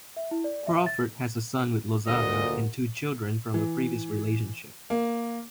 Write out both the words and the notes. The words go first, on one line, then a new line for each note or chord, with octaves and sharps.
Crawford has a son with Lozada and two children from a previous relationship.
E5
E4
D5
E5
A6
D2 A#2 G3 A#3 F#4 D#5
E3
A#3